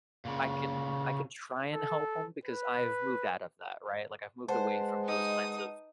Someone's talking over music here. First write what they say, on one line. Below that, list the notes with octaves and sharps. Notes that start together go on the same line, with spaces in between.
I can I can try and help 'em because I've moved out of that, right? Like, I've moved away from those kinds of
A#2 C#3
A4
B4
G#3 B4 C5 F#5 A5
D#4 D#6